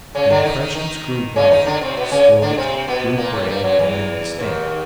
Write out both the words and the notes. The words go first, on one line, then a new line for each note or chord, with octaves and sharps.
The impressions grew wilder, swirled, grew gray and indistinct.
C#3 C#4
D3 D4
D#3 D#4
D#3 D#4
D#3 D#4
C#3 C#4
D#3 D#4
D3 D4
C3 C4
B2 B3
C#3 C#4
D3 D4
C3 C4
B2 B3
A#2 A#3
A2 A3
G2 G3
F#2 F#3
E2 E3
D#2 D#3